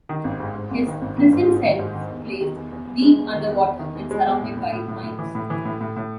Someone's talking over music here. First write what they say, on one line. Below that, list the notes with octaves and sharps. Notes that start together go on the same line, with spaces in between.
His prison cell is placed deep underwater and surrounded by mines.
D#3
G#1
G#2
G#2
G#1
D#3
G#1
D#3
G#2
G#1
D#3
G#2
D#3
E2
E2
D#3
E2
E2
E2
G#3
E2
D#3
E2
E2
D#3
E2
G#3
E2
A2
A2
A2
A2
A2
E3
A2
E3
A2
A2
A2